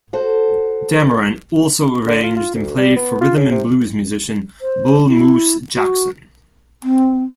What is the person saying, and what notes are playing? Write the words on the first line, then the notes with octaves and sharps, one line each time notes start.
Dameron also arranged and played for rhythm and blues musician Bull Moose Jackson.
F#4 A4 C5
D3
F4
F4
D2
G3
B3
F4
C#3
C3
C5
E4
F#4
C4